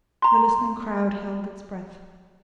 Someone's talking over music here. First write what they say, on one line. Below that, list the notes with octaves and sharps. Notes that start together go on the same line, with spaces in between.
The listening crowd held its breath.
A#5 C6